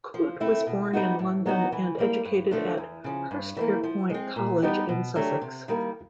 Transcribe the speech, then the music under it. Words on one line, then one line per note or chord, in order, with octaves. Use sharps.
Coote was born in London and educated at Hurstpierpoint College in Sussex.
F3
A3 C4 E4
B2
G3 B3 D#4 F#4
A2
F#3 B3 D#4 F#4
E3
G3 A#3
G2
D3 F3 A3 D4
E2
C#3 F3
G2
E3 G3 A#3
F3
G#3 C4
A#2
G3 B3 D#4 G4
B2
F#3 A3 D4 G4
C3
D#3 G3 A#3